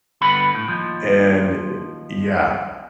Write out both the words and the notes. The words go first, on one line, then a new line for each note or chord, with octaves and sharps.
and I yeah,
G2 D3 B3 B4 B5
A2
D#2 F3